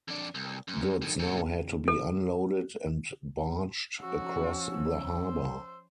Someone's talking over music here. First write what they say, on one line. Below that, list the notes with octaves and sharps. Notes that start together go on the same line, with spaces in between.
Goods now had to be unloaded and barged across the harbor.
F2 D4
C2
F#2
F2 D#3
A#2 C#3
A4
F3 C#4 F#4 E6
C5